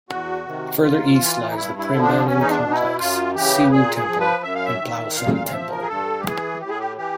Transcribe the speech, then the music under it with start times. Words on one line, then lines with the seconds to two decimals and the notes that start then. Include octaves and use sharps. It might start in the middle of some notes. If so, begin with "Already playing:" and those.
Further east lies the Prambanan complex, Sewu temple, and Plaosan temple.
0.09 E2 F#4
0.46 C3 D#3
0.82 G#2 F4
1.19 E3
1.50 D#4
1.54 G2 E4
1.79 E4
1.91 D3 F3
2.02 D4
2.27 E2 C#4
2.41 D#4
2.50 D4
2.63 B2
2.71 D#4
2.75 E4
2.99 F#2 F4
3.35 C#3 E3 G4
3.71 A#2 G#4
3.96 G#4
4.08 F3
4.20 B4
4.43 F#2 E5
4.55 F5
4.66 E5
4.80 D#3
5.16 A#2 F5
5.34 F5
5.47 F5
5.52 F3 E5
5.71 A#4
5.82 G#4
5.88 G2 A4
6.20 G4
6.25 E3 G#4
6.61 A2 G4
6.70 G#4
6.79 G4
6.97 E3 G4